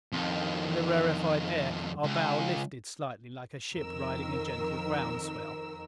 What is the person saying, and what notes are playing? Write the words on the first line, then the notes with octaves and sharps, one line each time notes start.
In the rarefied air, our bow lifted slightly, like a ship riding a gentle ground swell.
F2 D#3
C#2
F2 D#3 A#4 E6